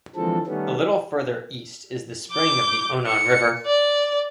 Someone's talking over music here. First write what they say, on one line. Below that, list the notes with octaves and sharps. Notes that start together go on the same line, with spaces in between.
A little further east is the spring of the Onon River.
D3 E3 F3 G#3 C4 A4
D#3 G3 A3 B3 C#4
D6 G6
C#7
D5